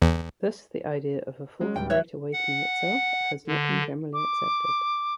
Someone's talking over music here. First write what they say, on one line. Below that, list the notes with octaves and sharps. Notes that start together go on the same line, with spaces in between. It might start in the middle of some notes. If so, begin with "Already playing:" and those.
Thus, the idea of a Fourth Great Awakening itself has not been generally accepted.
E2
F#3 G#3 C#4
D1 G3 G5
C#5 E5 F#6
F#5
D3
D6